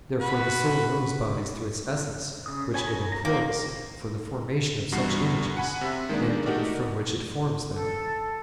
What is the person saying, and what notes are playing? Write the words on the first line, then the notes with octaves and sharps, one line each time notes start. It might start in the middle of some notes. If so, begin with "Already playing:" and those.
Therefore the soul knows bodies through its essence, which it employs for the formation of such images, and from which it forms them.
F#4 B4 B5
C#3 D#6
C#5 G#5 B5
C#5 A#5
A#5
A#3 F4 C5 F5
E2 G2 F#4 C7
F#5 G#5 B5
C3 E5
D#3 G#3 A#3 B3 D4
A3 D#4 F#4 G4 A#4 D5
A4